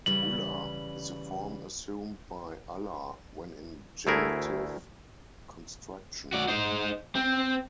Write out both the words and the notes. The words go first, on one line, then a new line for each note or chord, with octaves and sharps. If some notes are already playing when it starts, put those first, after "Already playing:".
Ullah is the form assumed by "Allah" when in a genitive construction.
C#3 E3 G3 F#7
D2 A3 E4 G#4 A#4
F#4 D5
D#4 C5
C4